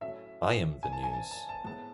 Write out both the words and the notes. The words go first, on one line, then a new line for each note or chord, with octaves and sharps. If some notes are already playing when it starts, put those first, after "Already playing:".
I am the news.
A2 F#3 A3 C#4 E5
G#5
A5
G#5
A5
A5
A5
A2 G#3 B3 A5